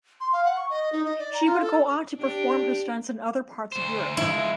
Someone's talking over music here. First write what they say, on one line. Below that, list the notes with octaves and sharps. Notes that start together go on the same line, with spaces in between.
She would go on to perform her stunts in other parts of Europe.
C6
F5
F#5
C#6
D#5
D#4
D#5
D5
A#5
F4
A4
D4 G4
D2 C5
F3 G#3 E4